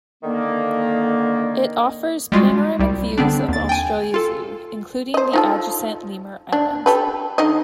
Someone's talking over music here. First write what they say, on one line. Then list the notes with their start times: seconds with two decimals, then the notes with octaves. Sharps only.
It offers panoramic views of Australia Zoo, including the adjacent lemur island.
0.23 D3 D#3 A#3
2.32 G3 G#3 F4 F#4
2.79 C2 G3
3.18 D3 B3 C4 D4
3.48 D#2 A6
3.69 G5 G#5
4.14 F4 A4
5.14 C5 D#5
5.33 D#4 F4 A4
6.52 D4
6.86 G4 A4 B4
7.38 D3 D#4 D#5